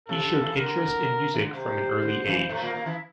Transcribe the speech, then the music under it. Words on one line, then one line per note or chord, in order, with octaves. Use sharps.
He showed interest in music from an early age.
C3 A4
D3
E2 E3
D3 A#4
E3
D3
C3 C5
D3
E2 E3
A2 A3
A#2 A#3
A#2 A#3
E3 E4